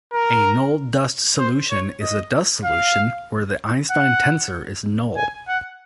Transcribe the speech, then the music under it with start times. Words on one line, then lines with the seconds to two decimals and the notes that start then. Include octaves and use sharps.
A null dust solution is a dust solution where the Einstein tensor is null.
0.13 A#4
1.39 C5
1.71 C#5
2.02 D#5
2.65 F5
3.91 F#5
5.17 G#5
5.48 F#5